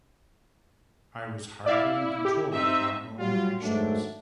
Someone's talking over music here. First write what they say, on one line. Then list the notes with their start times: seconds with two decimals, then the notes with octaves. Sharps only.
I was hardly in control of my own actions.
1.66 E4 D5 E5 F5
2.25 G4
2.54 C4 D#4 E5
3.18 F#3 G3 F4
3.62 G#2 D#3 F#3 A3 D4